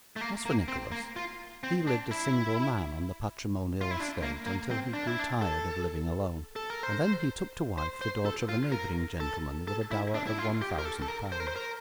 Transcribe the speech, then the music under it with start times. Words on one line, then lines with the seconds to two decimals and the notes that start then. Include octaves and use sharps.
As for Nicholas, he lived a single man on the patrimonial estate until he grew tired of living alone, and then he took to wife the daughter of a neighbouring gentleman with a dower of one thousand pounds.
0.16 A3
0.21 A#3
0.46 A#3
0.68 C4
0.92 A#3
1.16 F4
1.63 C4
1.87 D4
2.11 E4
3.81 F4
3.91 E4
4.00 D4
4.23 A#3
4.47 A#3
4.71 C4
4.94 D4
5.07 E4
5.19 D4
5.42 A4
6.56 A4
6.70 A#4
6.83 C5
7.78 C5
8.01 C5
8.26 A4
8.49 F4
8.72 A#4
9.20 A4
9.68 A4
9.91 E4
10.15 D4
10.27 E4
10.38 F4
10.62 G4
10.79 A#4
10.85 A4
11.02 A4
11.08 A#4
11.32 C5
11.40 A#4
11.48 C5
11.56 A#4